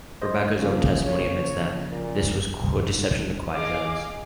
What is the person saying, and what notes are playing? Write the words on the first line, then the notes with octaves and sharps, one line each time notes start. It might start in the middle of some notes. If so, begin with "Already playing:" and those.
Rebecca's own testimony admits this was a deception to quiet Jones.
C5 D#5
C#3 F3 A#3 G#4
C#5
A#2
G#4 D#5 F5 D6